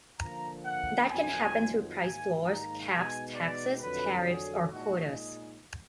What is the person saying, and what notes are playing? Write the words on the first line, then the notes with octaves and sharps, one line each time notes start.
That can happen through price floors, caps, taxes, tariffs, or quotas.
D3 F3 A#3 A#5
F#5
F2 D#3 F#3 B3 F4 G#5
G#2 D#3 A#3 G#5
A#5
B2 G#3 B3 D#4 G#5
D5
F2 D3 F#3 B4
G#4
A#2 G#3 D#4 F#4
G#4